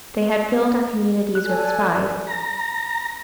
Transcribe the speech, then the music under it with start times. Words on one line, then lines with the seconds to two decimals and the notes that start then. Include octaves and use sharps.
They had filled our communities with spies.
1.34 G4 F#6
1.45 A4 D5 G#5
2.27 A#5